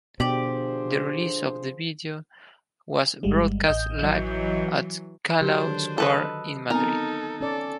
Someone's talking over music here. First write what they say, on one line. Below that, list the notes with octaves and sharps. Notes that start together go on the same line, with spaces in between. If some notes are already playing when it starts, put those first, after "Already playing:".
The release of the video was broadcast live at Callao Square in Madrid.
B2 D3 F3 G4 G#4 C5 D5
G1 G3 G#3
A1 D#5 G6
E3 F#3
D3 D#3 F#3 D4 G4 C5
A4 B4 D#5
B3 C4 D#4 A4 A#4
C#4 A4 D5